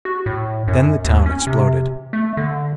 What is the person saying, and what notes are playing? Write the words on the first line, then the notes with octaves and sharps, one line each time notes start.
Then the town exploded.
F#4
A2
F#2
D#2
C#4
C3
A3
D3